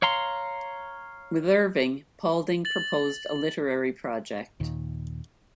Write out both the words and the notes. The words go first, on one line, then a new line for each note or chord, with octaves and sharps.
With Irving, Paulding proposed a literary project.
C#5 F5 A#5 C6
A6 F#7
D#2 A#2 D#3